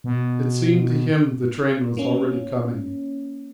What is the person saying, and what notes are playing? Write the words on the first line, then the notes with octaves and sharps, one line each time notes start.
It seemed to him the train was already coming.
B2
A#3 C#4